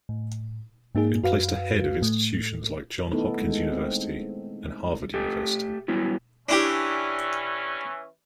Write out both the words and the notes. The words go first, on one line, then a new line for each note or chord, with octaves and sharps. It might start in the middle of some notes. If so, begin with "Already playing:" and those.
It placed ahead of institutions like Johns Hopkins University and Harvard University.
A2
G#2 A#3 D#4 G#4
F#2 F#4 B4 F5
A2 A3
D#3 A3 B3 D#4 E4 A4
G#3 A3
C4
A3 G4 A4
F#3 G3 B3 E4
E3 C#4 D4 E4 G4